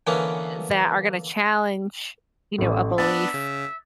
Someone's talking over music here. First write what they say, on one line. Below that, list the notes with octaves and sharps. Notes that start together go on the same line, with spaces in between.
eh that are gonna challenge, you know, a belief
D3 E3 A#3 B3 C#4
A1 A2
B3 D4 E5 A6
C#3